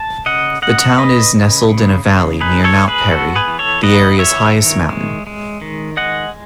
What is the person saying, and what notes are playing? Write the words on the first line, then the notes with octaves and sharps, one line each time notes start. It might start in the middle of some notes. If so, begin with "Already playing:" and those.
The town is nestled in a valley near Mount Perry, the area's highest mountain.
Already playing: A5
C#3 D#5 F#5
C#3 D#5 F#5
C#3 B4 D#5
C#3
C#3
C#3
D#4 G#4 B4
A4 C#5
G#3
G#4 B4
B3 F#4 A4
G#4 B4
E3
A4 C#5
B3 B4 D#5
E3 C#5 E5
D#3
G#3
G#3
D#3
G#3 D#5 F#5